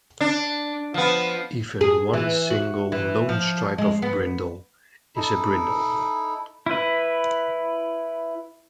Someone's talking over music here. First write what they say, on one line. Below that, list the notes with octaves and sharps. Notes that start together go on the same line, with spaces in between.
Even one single, lone stripe of brindle is a brindle.
D4
F3 B3
G#4
E3
F#4
E3
F3
G#3
B3
D#4 E4 A4
E4 B4